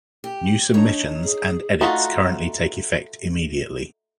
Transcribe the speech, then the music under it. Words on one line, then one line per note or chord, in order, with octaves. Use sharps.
New submissions and edits currently take effect immediately.
G4
D4 D#4 C#5 A#5
G#4
A3 D#4 F4 F#4